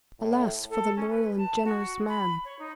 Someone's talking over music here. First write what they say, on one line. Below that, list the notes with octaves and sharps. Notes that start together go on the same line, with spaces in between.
Alas, for the loyal and generous man!
A2
A4
C#4
B4
A5
F#4
B5
C#5
D#4